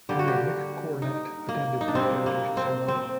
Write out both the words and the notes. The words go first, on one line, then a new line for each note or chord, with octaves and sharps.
Mayor Mick Cornett attended the dedication ceremony.
D3 G3 A#3 G4
F#4
G4
D#4
A#3
D#4
D4
C3 G3 A#3 C4
A#3
C4
C4